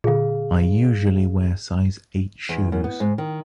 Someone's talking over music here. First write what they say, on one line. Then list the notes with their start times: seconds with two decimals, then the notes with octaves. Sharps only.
I usually wear size eight shoes.
0.04 A#2 D3 G#4 F5
2.49 E2
2.72 F#2
2.84 B3
3.00 G#2
3.18 D#3